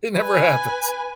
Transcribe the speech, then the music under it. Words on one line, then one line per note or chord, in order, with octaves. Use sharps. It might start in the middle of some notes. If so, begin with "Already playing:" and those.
it never happens.
B4 G#5